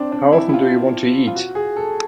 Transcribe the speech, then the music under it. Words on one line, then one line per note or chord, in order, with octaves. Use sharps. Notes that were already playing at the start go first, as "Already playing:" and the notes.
How often do you want to eat?
Already playing: C4 D4
D4
E4
E4
F4
F4
F#4
G#4
A4